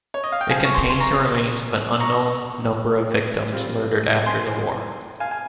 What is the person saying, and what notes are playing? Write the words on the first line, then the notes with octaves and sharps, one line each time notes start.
It contains the remains of an unknown number of victims murdered after the war.
C#5
D#5
F5
G5
C#3 F3 C4 F5 G#5
C#6
G#5 C6
C6
A#5 C#6
A#5 C#6
G3 C4 F4
G#5 C6
F5 G#5
G#5